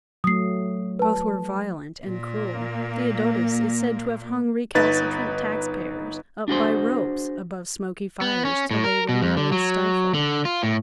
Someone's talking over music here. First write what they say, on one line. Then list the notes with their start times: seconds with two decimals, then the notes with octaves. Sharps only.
Both were violent and cruel: Theodotus is said to have hung recalcitrant tax-payers up by ropes above smoky fires till they were nearly stifled.
0.24 F#3 A3 D#6 C7
0.99 B4 A5
2.05 A#2 A#3
4.75 G1 D#4 B4 A6 B6
6.48 D4 F#4 G#4 C5
8.21 B3
8.45 C#4
8.71 A2
8.84 A#4
9.09 B2
9.22 F2
9.37 D3
9.52 F#3
10.14 D3
10.45 F4
10.63 A2